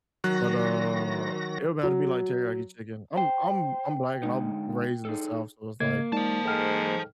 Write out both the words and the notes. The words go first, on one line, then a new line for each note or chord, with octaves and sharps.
but, uh, it would have to be like teriyaki chicken, I'm I'm I'm black and I'm raised in the South, so it's like,
D#3 F#3 F#4 F#6 A#6
F#3
C5 G5
D3 G#3 D#4
D#4 G#4 A4
C#3 A#3 D#5 G#6
G#3 D#4 C5 D5 A5
G#2 A4 G5 F6